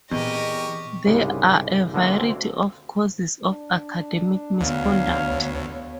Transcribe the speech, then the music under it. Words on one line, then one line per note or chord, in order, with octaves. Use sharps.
There are a variety of causes of academic misconduct.
E2 A#2 C4 G4 A#4 D#5 C#6
C2 G#2 C#3 G3 G#3
D3 E3 G#3 A#3 C4 C#4
D2 C4
D4
D2 B3 C#5 F5